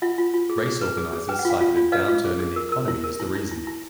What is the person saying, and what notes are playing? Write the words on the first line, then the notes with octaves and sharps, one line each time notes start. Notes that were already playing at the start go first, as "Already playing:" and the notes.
Race organizers cited a downturn in the economy as the reason.
F4 E5 F#5
F4
F4
G#4
G#4
B4
G#4
G#4
B4 G5
F#5
F4 F5 G5
F4
F4
B4 D#5 F5
F4
G#4
G#4
A#4
A#4
E4
A#4
E4
E4
E4
E4